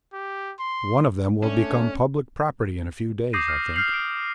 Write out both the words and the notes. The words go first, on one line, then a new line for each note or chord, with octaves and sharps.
One of them will become public property in a few days, I think.
G4
C6
A3 C#4 D4
D6 D#6 G6 A#6 C7 D#7
F6 C7
F6 G6 C7 F7 F#7
D7